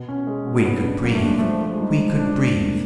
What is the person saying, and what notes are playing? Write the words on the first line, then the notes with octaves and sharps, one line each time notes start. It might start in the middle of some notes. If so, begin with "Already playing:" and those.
We could breathe! We could breathe!
Already playing: B2 B3
C#4
G#3
B2
C#3 B3
D4
F#3 A#3
A3
G#3 D4
F3 A3
F3
G#3
G3 D#4
F3
D4
D4
A#3